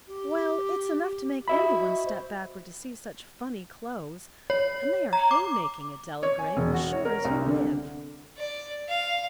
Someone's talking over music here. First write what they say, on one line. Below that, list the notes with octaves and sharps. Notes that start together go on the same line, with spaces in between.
"Well, it's enough to make any one step backward to see such funny clothes; and they are hay-making, Adela Gray, as sure as you live."
G4
F#4 D#5 E5 B5
C5
C#5
A#5
D6
C#5
G#5
E1
F#4
C#5
A#4
C2
D3
D5
F5